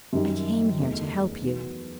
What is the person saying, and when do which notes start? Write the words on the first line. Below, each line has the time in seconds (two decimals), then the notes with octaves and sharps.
I came here to help you.
0.13 F#2 D#3 G3 D#4 G4
0.78 E2 D#3 A3
1.44 E3 B3 D#4 F#4